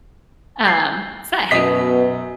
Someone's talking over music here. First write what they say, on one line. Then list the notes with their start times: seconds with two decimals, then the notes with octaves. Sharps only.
um, it's that hair.
0.65 G6 C7
1.51 F#2 B2 D#5 B6